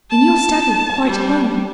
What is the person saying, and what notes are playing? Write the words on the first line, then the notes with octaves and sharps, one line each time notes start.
'In your study, quite alone.
A5
G3